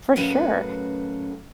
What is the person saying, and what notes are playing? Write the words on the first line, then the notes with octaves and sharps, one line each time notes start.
For sure.
F#2 A2 C#3 F#4 B4